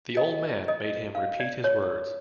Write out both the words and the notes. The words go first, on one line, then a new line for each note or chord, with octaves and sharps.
The old man made him repeat his words.
D#5
D#5
F5
D5
C#5